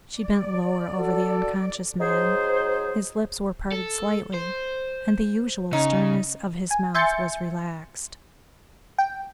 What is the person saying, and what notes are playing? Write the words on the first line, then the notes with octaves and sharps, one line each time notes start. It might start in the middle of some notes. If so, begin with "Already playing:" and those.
She bent lower over the unconscious man; his lips were parted slightly, and the usual sternness of his mouth was relaxed.
D5
F#4 A4
F#3 D#4 G#4 C5
A4
C5
C#3 D#4
G#5
E5 G#5 C6 G6 A6 C#7
G5